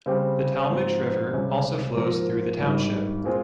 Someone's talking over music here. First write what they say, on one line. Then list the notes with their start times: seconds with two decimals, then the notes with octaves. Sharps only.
The Talmadge River also flows through the township.
0.06 C#3 G3 C4 G4 C5
0.70 G#2 F3 C4
1.33 C#2 C3 G3 C#4
1.96 G#2 F3 A#3 F4 A#4
2.60 G#1 G2 D#3 G3
3.24 A#2 G#3 C4 F4